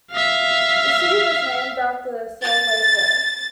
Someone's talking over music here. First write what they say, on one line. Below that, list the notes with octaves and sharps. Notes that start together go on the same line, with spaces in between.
The city was named after the Solway Firth.
E5 F5
A6